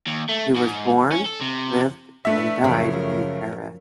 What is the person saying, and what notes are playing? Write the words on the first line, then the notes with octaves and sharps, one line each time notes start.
He was born, lived and died in Paris.
D#2
A3
G#2
C#4
A4
C3
A3 D4 B4 E5
F#2 C#3 F3 A#4